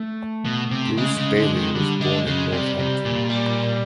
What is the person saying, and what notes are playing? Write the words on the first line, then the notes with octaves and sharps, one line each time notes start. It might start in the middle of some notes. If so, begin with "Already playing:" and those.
Bruce Bailey was born in Northampton.
Already playing: A3
B2
C3
C#3 G#3
C#3
D3
D#3
D3 G3
D3 G#3
C#3 G#3
C3 G3
C3
A#2
G3